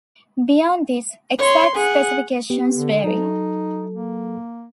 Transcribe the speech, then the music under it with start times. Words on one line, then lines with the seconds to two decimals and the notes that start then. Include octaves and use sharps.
Beyond this, exact specifications vary.
1.39 C#5 C6
1.77 G#4 F#5
2.50 B3 G4
2.76 D3
3.04 F#3 D#4 A4
3.94 A#3